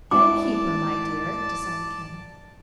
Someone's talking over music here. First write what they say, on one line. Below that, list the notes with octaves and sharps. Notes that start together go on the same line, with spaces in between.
"Then keep her, my dear," decided Kenneth.
G#2 D4 E4 F#4 D5 A5 D6